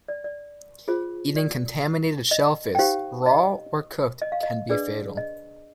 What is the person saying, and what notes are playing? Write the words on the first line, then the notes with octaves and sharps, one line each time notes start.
Eating contaminated shellfish, raw or cooked, can be fatal.
D5
D5
F4 G#4 C5
D5
D#5
G5
D#4 G4 C5 F5
D#5
D#5
F5
D#5
D4 G#4 B4 D5
D#5